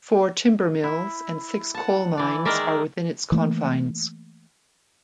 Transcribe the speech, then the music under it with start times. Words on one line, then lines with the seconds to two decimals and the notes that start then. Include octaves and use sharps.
Four timber mills and six coalmines are within its confines.
0.84 E4
1.74 F#5 A5
2.18 E3 D5
2.45 D#3 G#3 G#4 A#4 D5 E5
3.32 E3 A3 A#3